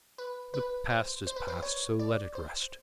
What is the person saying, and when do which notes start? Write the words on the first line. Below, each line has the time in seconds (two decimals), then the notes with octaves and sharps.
The past is past, so let it rest.
0.18 B4
0.54 B4
0.90 C5
1.27 C5
1.36 B4
1.48 C5
1.62 C#5
1.99 D5
2.35 C5